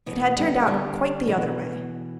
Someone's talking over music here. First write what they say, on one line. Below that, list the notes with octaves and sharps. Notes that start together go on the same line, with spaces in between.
It had turned out quite the other way.
B2 E3
D3 G3
D3 G3
B2 E3